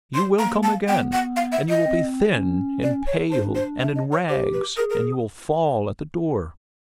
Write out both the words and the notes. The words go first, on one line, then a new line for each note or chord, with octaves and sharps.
You will come again, and you will be thin and pale and in rags, and you will fall at the door.
C6
A#3 A#5
A5
B3 G5
F#5
F5
E5
D#5
C4
C#4
D5
C#5
D4 C5
C5
E5
D#5
C#5
G4 C5
B4
G#4 A#4
A#4